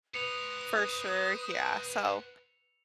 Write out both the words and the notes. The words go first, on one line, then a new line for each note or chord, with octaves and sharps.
For sure, yeah, so,
B4 C5 F#5 D#6 C#7 F7